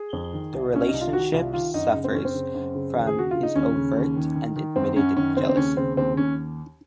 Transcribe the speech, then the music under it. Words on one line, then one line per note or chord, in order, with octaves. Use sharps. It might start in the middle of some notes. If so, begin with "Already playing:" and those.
The relationship suffers from his overt and admitted jealousy.
Already playing: G#4
F2
D#3
C2
C2 C#4
D#4
C2
F4
D#3 F#4
C2 F4
D#3 F4
F#2 D#4
C#3
C4
F#2 C#4
C4
C#3
F#2
C#3
D#2
G#4
C#3 F#4
C#3 F4
D#4
D#2 C#4
C#3
D#2
D#3
D#3
D#3
F#2 C4
F#2 C#4
D#3 C#4
C#3 C4
C4
D#2 C#4
C#3 C4
D#2 C4
D#2 C#4